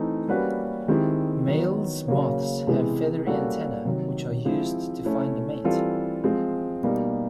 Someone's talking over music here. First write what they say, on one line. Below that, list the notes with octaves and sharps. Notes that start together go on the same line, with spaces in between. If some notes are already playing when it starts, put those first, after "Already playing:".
Males moths have feathery antennae, which are used to find a mate.
Already playing: E3 A3 C4 D#4
G3 A#3 C#4 F#4 B4
D#3 G#3 C4 E4 G4
D#3 F#3 B3
C#3 F#3 A#3 C#4
C3 E3 G#3 B3 E4
G3 A#3 C#4 F#4 A4
C3 D#3 F#3
F3 G#3 C4 E4
A3 C#4 E4
E3 G3 C4 F4 A4
F3 G#3 C4
B2 G3 A#3 D#4